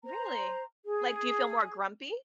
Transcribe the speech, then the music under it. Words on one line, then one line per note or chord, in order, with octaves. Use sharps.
Really? Like, do you feel more grumpy?
C5 A#5
G#4